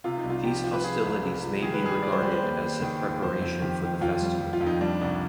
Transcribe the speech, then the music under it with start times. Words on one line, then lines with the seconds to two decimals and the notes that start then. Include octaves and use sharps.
These hostilities may be regarded as a preparation for the festival.
0.04 C3 F4
0.18 D#4
0.24 C2
0.30 F4
0.44 F3 G4
0.64 F3
0.73 B4
0.84 F3 G#4
1.04 C2
1.23 C3
1.43 F3
1.63 D#3 G#4
1.74 B4
1.82 G3 G#4
2.02 G3 D5
2.12 C5
2.23 G3 B4
2.31 C5
2.43 D#2
2.63 D#2
2.82 D#3
3.02 D#2
3.22 F2 C5
3.42 F2
3.62 D#3 G4
3.82 D#3
4.01 F2 F4
4.21 G3
4.41 F2
4.53 F4
4.60 F2
4.66 D#4
4.81 G3 D4
5.01 C2